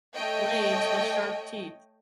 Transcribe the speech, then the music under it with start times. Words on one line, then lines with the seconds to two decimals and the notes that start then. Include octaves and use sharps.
Blades with sharp teeth.
0.14 A3 C#5 D#5 G5